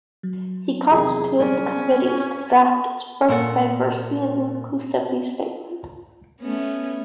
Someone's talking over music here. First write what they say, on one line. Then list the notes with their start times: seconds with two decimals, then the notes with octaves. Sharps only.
He constituted the committee to draft its first Diversity and Inclusivity Statement.
0.23 F#3
0.92 E2 C3 D#3 G#4
1.40 C2 C#4 D5
3.29 A#2 A4 A#4 F#5
6.41 A3 B3 C#4